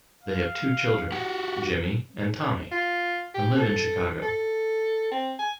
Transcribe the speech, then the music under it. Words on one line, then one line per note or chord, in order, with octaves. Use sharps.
They have two children, Jimmy and Tommy, and live in Chicago.
F5
F#4 G4 F#5
F4
G4
A4
A4
C4
G#5